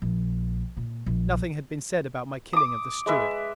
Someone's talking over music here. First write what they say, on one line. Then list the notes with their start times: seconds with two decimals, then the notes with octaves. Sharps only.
Nothing had been said about my killing of the steward.
0.02 A#1
0.77 A#2
1.06 A#1
2.53 D6 D#6
3.06 G#3 B4 E5